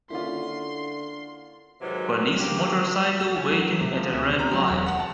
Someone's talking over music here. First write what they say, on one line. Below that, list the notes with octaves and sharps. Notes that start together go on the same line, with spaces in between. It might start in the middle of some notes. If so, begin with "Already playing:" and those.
Police motorcycle waiting at a red light.
D3 A#3 C#4 E4 F4 C6
G#2 C3 D#3 E3 F#3
G#2 A#3 G4
E7
C#4
F#3
C3
F3
D2
D3
A#5
F#3
E1
F#5
A5